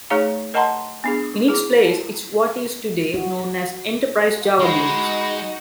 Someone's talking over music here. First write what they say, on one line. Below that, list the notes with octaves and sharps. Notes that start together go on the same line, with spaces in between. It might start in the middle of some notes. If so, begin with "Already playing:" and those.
In its place is what is today known as Enterprise JavaBeans.
A3 D#4 G#4 C#5 F5 A#5
A#4 D#5 F#5 A5 A#5 C6
B3 D4 G#4
E4 G#4
F#4
G#3 D#4 F#4 B5